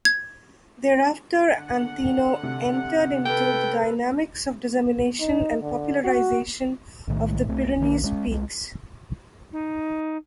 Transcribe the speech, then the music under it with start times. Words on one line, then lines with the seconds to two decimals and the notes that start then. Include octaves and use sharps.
Thereafter Aneto entered into the dynamics of dissemination and popularization of the Pyrenees peaks.
0.05 G#6
1.56 D3 F#5
2.43 C3
3.25 A4 B4 G5
5.20 D#4
5.62 D3
6.04 F#4
7.07 B1 A2 D#3 A3
7.49 C2 A3 C4
7.79 B1 D#3 F#3 A#3
8.02 G2 G#3 C#4
8.27 C2 G#3
9.52 D#4